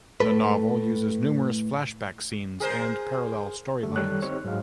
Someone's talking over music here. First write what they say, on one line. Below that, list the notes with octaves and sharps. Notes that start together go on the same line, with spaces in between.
The novel uses numerous flashback scenes and parallel storylines.
A2 A3 A4 B4
G#4 A#4 C5
G2 D3 A3
D#3 G3 A4 C#5 F#6
C4 D#4 G4 C5 C#5
G#2 F#3 G#3 F5